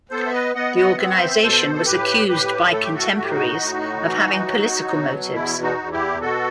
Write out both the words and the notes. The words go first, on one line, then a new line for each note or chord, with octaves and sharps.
The organization was accused by contemporaries of having political motives.
B3 A4 C5
E5
B4 D#5
B3 D#5 F#5
D#5 F#5
C4 E5
F#5
C5 E5
B2 A4 C5
A4
A2 G4 B4
A2 G4 B4
A3 A4
G4
F#4 A4
A2 F#4
G4
D#4 F#4
A2
E3
F#3
B2
E2 E4
D#4 F#4
E2
E4 G4
B2 F#4 A4